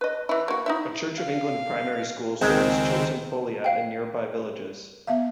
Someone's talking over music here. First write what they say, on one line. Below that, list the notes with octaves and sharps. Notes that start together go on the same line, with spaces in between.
A Church of England primary school serves Chilton Foliat and nearby villages.
B4 D#5
E3 E4
A#3 F#4
D#4 E4 E5
F5
C#2 D#3 G#3 C4 C5
F5 G5
B3 E5 F5